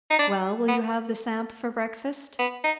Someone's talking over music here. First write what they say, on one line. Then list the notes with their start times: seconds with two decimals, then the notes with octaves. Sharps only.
"Well, will you have the samp for breakfast?"
0.10 D#4
0.19 D4
0.68 B3
2.39 B3
2.64 D#4